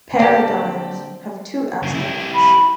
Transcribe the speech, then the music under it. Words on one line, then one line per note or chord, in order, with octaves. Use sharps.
Paradigms have two aspects.
D3 A#3 C4 G4 C5 D5 G5 A5
F#2 C#3
E4 G4
B5